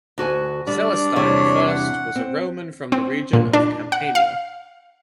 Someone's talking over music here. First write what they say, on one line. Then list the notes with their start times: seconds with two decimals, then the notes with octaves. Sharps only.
Celestine the First was a Roman from the region of Campania.
0.18 D2 F#4 G#5
0.67 G3 D4
1.16 E2 C3 G3 C#5
1.68 F#5
2.16 C4
2.92 C4
3.33 A#2
3.53 D4
3.92 F#5
4.15 F5